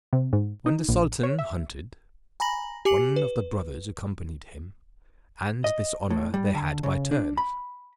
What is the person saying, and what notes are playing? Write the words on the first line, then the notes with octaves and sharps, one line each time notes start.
When the sultan hunted, one of the brothers accompanied him, and this honour they had by turns.
C3
G#2
D#4
A#1
C#5
E5
G#5 A#5 B5 A#6 F#7
G4 G#5 D6 C#7 F#7
B4
D#5
A2
G3
D3
C#3
D4
B5